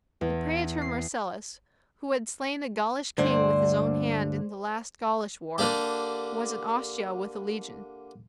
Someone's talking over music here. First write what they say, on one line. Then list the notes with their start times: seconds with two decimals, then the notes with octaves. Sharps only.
The praetor Marcellus, who had slain a Gaulish king with his own hand in the last Gaulish war, was at Ostia with a legion.
0.21 E2
0.82 C7
3.18 D2 G2 D3 C5 D5
5.58 D3 A#3 D4 G4